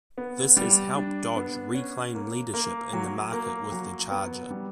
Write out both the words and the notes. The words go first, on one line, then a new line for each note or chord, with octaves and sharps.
This has helped Dodge reclaim leadership in the market with the Charger.
B3
G3
D4
B3
C#4
A#3
A#3
F#3
A#3
F#3
B3
G3